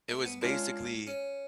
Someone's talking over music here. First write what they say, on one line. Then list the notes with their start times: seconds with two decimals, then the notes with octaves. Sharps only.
it was basically
0.09 A3
0.25 B3
0.41 G#3 C#4 D4 F4 G#4
1.07 C#4